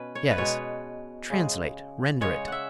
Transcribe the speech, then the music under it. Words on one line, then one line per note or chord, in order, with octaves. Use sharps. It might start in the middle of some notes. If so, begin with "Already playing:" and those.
"Yes, translate, render it."
Already playing: B2 C#4 B4
C#5
B4
B2 G#3 C#5
C#3 G#3
C#3 G#3 C#5
E5 F#5